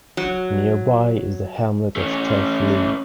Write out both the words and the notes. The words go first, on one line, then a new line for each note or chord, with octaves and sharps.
Nearby is the hamlet of Turf Lea.
F#3
A3 C#4